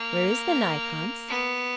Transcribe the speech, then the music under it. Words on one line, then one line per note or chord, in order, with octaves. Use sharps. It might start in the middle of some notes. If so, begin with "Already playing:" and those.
'Where is the knife, Hans?'
Already playing: A#3
B3